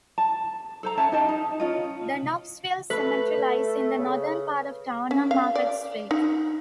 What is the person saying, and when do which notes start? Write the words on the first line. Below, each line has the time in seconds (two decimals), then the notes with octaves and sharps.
The Knoxville Cemetery lies in the northern part of town on Market Street.
0.18 A5
0.83 A4 C5 A#5
0.97 C#4 C#5 E5 A5
1.12 D#4 G4 D#5 A5
1.29 D#4
1.60 C#4 F4 D#5
2.90 A3 B4
3.99 C#3
5.11 C#4
5.31 F5
5.55 D5
6.11 D#4